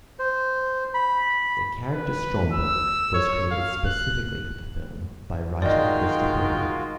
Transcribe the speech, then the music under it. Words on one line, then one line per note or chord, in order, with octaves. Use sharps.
The character Stromberg was created specifically for the film by writer Christopher Wood.
C5
B5
B4
E6
C#5
F5
F#6
D#3 G#3 F4 F#4 D5 D#5 F5 G5